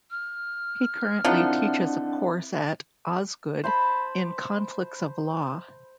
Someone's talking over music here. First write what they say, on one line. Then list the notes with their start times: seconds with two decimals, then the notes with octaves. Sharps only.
He currently teaches a course at Osgoode in conflicts of law.
0.10 F6
1.24 D#3 F3 C4 D4 E4 E5 F#5
3.64 C5 A5 B5